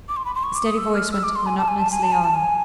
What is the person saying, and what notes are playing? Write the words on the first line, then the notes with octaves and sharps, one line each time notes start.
The steady voice went monotonously on.
D6
C6
B5
C6
C#6
D6
D#6
E6
F6
E6
D6
C6
G#5
A5
G#5
A5
G#5
A5
G#5
A5
G#5